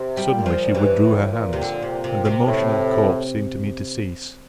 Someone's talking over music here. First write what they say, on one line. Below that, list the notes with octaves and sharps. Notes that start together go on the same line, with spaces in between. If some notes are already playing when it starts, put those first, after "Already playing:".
Suddenly she withdrew her hands, and the motion of the corpse seemed to me to cease.
Already playing: C3
G3
A#2
F3
G2 E3
A2
A#2
C3
D3
C3
C3
C3
A2